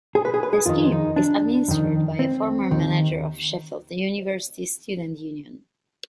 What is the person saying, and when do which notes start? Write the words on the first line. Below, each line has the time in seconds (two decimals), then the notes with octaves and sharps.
The scheme is administered by a former manager of Sheffield University Student Union.
0.15 G#4
0.25 B4
0.34 G#4
0.43 B4
0.53 G#4
0.66 F2 D#3 F4
0.92 D#4
1.16 D4
1.68 F2 D#3
2.19 C4
2.71 D#2 D#3